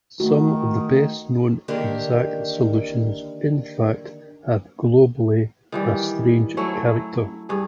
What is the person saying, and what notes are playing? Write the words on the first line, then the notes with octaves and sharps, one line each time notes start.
Some of the best known exact solutions, in fact, have globally a strange character.
D#3 A3 F#4
D3 D#3 A#3 D4 G4 A#4
D#3 E3 G3
F#3 A3 C#4 E4
G2 G#4